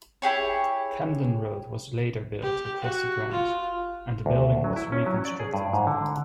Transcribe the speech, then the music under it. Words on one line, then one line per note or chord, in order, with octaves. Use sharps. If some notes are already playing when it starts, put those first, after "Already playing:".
Camden Road was later built across the grounds, and the building was reconstructed.
E4 G4 G#4 C#5
G4
F#4
F4
D2
F#3
E4
C#4
F#3
D5
G#4
G2
G#2
D3